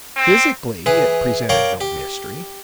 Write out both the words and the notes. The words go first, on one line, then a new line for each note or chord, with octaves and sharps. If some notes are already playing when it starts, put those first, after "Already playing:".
Physically it presented no mystery.
C4
E3 G#4 B4
A#4 C#5 D5 F5 G5
G4